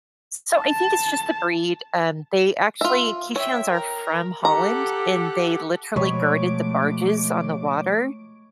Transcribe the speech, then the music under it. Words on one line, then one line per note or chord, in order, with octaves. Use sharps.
so, I think it's just the breed, um, they actually Keeshonds are from Holland, and they literally guarded the barges on the water,
A5
F4 E5
C#5 E5 G5
A#4
G4 A4 F#5 A#5
B2 F3 G#3 A3 C#5 D#5 B5 D6